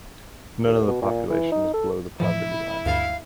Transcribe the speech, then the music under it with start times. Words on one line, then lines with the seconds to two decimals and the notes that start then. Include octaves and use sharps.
None of the population is below the poverty line.
0.65 D#2
0.88 B2
1.02 A#2
1.30 E3
1.52 D#4
1.74 A4
2.20 A2 E3 F3 E4
2.86 D2 G2 F5